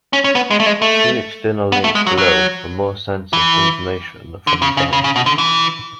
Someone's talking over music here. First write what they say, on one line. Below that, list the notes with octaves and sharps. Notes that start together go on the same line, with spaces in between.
See external links below for more census information from the borough.
C#4
C#4
B3
G#3
A3
G#3
A3
B3
A3
G#3
F#3
F#3
E3
D3
C#3
C#3
C#3
C#3
B2
D3
E3